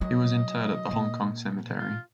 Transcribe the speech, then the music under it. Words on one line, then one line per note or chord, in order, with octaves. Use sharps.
He was interred at the Hong Kong Cemetery.
F#3 D#5
A#2
F4